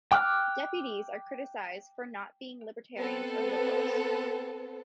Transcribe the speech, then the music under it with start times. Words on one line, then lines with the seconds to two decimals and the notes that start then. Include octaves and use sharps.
Deputies are criticized for not being libertarians or liberals.
0.12 G5 D6 F6 F#6
2.97 B3 C4 A4